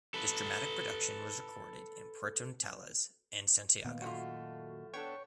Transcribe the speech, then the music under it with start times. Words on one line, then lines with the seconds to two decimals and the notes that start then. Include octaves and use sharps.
This dramatic production was recorded in Puerto Natales and Santiago.
0.14 A4 B4
3.85 A#2 D#3 A#3 B3
4.02 F#2 A3 F4 F#4
4.93 B3 D4 A4 C#5 G5 C#6